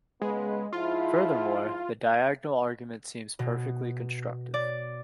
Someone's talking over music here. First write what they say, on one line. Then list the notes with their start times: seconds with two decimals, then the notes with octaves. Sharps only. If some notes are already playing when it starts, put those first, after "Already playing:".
Furthermore, the diagonal argument seems perfectly constructive.
0.22 C#3 G#3 B3 B4
0.73 G#2 F3 E4 F4
3.39 B2
4.54 D5